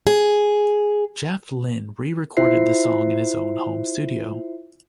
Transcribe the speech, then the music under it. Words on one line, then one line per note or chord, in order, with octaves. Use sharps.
Jeff Lynne re-recorded the song in his own home studio.
G#4
E4 F4 C5 E5 C7